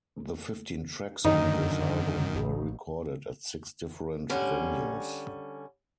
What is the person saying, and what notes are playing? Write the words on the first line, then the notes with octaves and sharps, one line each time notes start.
The fifteen tracks on this album were recorded at six different venues.
F#2 D3 D#3 D#4
A1
D3 G3 C#4